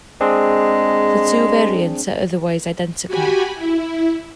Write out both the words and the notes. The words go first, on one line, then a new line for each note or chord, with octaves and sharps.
The two variants are otherwise identical.
G#3 C4 D4 G#4
F#4 G4 G#5 B5
E4